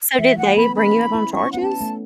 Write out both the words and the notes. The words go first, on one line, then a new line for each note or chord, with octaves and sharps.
So, did they bring it up on charges?
E3 E5
A3 F#5
A3
B3 B5
C#4 B5
E4
E4
C#4 C#6
B3 F#5
C#4 A5
A3